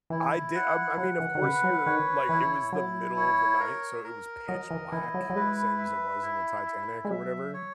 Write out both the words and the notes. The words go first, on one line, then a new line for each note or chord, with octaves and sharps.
I did I I mean, of course, you're like it was the middle of the night, so it was pitch black, same as it was in the Titanic or whatever,
E3 E4
F#5
F#3 F#5
E3
D#3
C#3 B4
F#3
D#3 C#5
E3 E4
F#3 E4
C#5
A#4
A#4
F#3 D#5
E3
E3 E4
F#3
F#3
G#3 B4
E5
E4
E5
G#3
F#3 E5
C#5